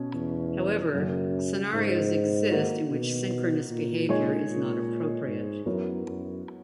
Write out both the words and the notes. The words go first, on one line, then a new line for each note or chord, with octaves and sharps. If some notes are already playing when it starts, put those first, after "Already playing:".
However, scenarios exist in which synchronous behaviour is not appropriate.
Already playing: B2 C#4
E2
F#2 C#3 F#3 A#3 C#4
G#2
D#3 A#3 D#4 F#4
B2
A#2
G#3 D#4 G#4 C#5
A#2
G#2
F#2 F#3 B3 E4 A#4 C#5
F#2